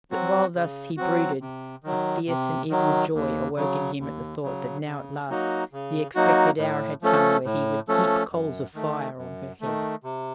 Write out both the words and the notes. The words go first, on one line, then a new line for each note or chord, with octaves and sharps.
But, while thus he brooded, a fierce and evil joy awoke in him at the thought that now at last the expected hour had come when he would heap coals of fire on her head.
F#3 C4 F#4
C#3
F#3 C4 F#4
C3
D#3 F#3
C3
D#3 F#3
D#2
C#3 F#3
D#2
C#3 F#3
C#3
F#3 A#3 D#4 F#4
C#3
F#3 A#3 D#4 F#4
A2
F3 A3 C#4 A4
A2
F3 A3 C#4 A4
F#2
D#3 A3
F#2
D#3 A3
C3